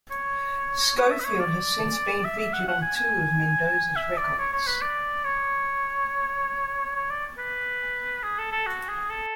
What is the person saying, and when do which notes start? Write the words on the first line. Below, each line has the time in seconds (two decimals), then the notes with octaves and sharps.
Scofield has since been featured on two of Mendoza's records.
0.11 C#5
0.97 C#5
1.11 E5
1.20 B4
1.25 C#5
1.39 D5
2.25 E5
2.39 E5
2.53 F#5
2.68 F#5
2.82 G#5
2.96 G#5
3.96 E5
4.18 D5
4.39 C#5
4.53 C#5
4.67 B4
4.82 D5
5.24 C#5
6.95 C#5
7.10 D5
7.38 B4
8.23 G#4
8.38 A4
8.52 A4
8.66 F#4
8.88 G#4
9.10 A4